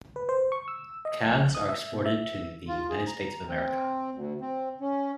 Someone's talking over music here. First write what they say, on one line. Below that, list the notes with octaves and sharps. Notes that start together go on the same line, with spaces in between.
Calves are exported to the United States of America.
B4
C5
C#6
E6
D#5
A#1
D#6
E5
B2
E5
F4
G#4
A#5
C4
D2
C4
C#4